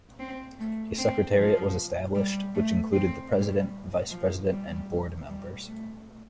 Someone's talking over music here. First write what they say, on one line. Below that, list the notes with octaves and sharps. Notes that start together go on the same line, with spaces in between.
A secretariat was established which included the president, vice president and board members.
C4
A3
C4
F3
G3
A3
C4
G3
F3
G3
G3
A3